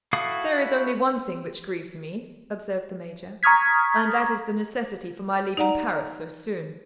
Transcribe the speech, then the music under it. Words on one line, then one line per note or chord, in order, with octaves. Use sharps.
"There is only one thing which grieves me," observed the major, "and that is the necessity for my leaving Paris so soon."
E4 F#4 A4 F5 D#6
A#5 C#6 D#6 F6 G#6 B6
D#4 D5 F#5 A#5